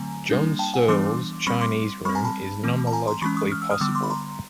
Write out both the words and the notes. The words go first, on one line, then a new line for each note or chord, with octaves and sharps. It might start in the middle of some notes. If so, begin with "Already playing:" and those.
John Searle's Chinese room is nomologically possible.
Already playing: D3 F#3 A3 C4 G#5 A#5
G3 A#3 D4
G5 A5
F#5 G#5
E3 G3 B3 D4 C6 D6
G3 C4 B5 C#6
C6 D6
G3 C4 B5 C#6
G#5 A#5
A5 B5
E3 A3 C4
A5
G#5 A#5
A#5 C6
E3 G#3 C#4 B5 C#6
C#6 D#6
F6
E6
D#6 F6
D3 G3 B3 D6 E6
C6 D6
B5
A#5 C6